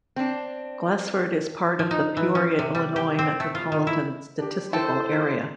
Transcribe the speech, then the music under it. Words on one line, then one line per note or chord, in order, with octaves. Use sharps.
Glasford is part of the Peoria, Illinois Metropolitan Statistical Area.
C4 D4
F3
D#4
E3
C#4
C3
G3
G4
C4
A3
F4
D#3
E4
D4 G4
E4 A4 C5 G5